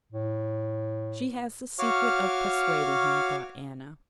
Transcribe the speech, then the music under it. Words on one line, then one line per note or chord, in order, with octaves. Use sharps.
'She has the secret of persuading him,' thought Anna.
A2
F#4 C#5 F5 D6 F6